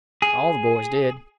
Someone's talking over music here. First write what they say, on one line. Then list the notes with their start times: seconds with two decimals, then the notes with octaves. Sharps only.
All the boys did.
0.22 G#4